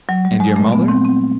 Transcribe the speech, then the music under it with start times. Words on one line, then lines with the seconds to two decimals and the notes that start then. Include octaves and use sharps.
"And your mother?"
0.09 F#3
0.25 G3
0.40 G#3
0.56 A#2 A3
0.72 B3
0.88 C4
1.05 C4